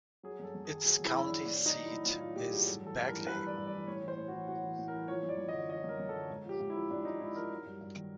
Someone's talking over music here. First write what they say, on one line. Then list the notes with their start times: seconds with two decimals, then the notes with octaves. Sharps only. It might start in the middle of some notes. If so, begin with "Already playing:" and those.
Its county seat is Bagley.
0.23 F#3 G#4
0.40 F#2 A4
0.55 F#2
0.65 G#4
0.70 D#3
0.85 F#3 G#4
1.00 F#2
1.05 E4
1.14 F#2
1.25 D#3 D4
1.45 A2 D4
1.61 F#3
1.66 D#4
1.76 A2
1.86 F#3 E4
2.05 A2 F4
2.21 F#3 F4
2.36 A2 G4
2.51 F#3 G#4
2.67 G2 A4
2.82 E3 A4
2.96 G2
3.07 E3 A#4
3.26 G2 B4
3.42 E3 D5
3.57 G2
3.67 D5
3.73 E3
3.87 A2 C#5
4.03 E3
4.08 C5
4.18 A2
4.28 E3 F#4
4.48 A2 F#4
4.64 E3
4.78 A2
4.88 E3 A#4
5.08 F3 C#5
5.23 F#2
5.29 D5
5.38 F#2
5.49 D3 D#5
5.69 F3 D#5
5.84 F#2 A#4
6.00 F#2
6.09 D3 A4
6.30 G#2
6.45 F3 G4
6.60 G#2
6.70 F3 E4
6.91 G#2 D4
7.05 F3 D#4
7.20 G#2 E4
7.35 F3 A#4
7.51 F#3
7.66 G2
7.81 G2
7.96 D#3